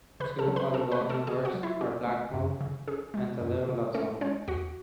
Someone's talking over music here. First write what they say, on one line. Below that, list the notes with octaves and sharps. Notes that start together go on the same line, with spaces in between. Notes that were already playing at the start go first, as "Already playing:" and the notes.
Two other well-known works are "Back Home" and "A Little Love Song".
C#3 B4 B5
A4 A5
F#3
B4 B5
C#4 A4 A5
B4 B5
A3
A4 A5
C#3 G#4 G#5
F#4 F#5
F#3
E4 E5
C#4 F#4
A3
F#2
C#3
C#4 G#4
G#3
F#2
C#3
A3 C#4 A4
G#3 C#4 C#5
E2 F#4 F#5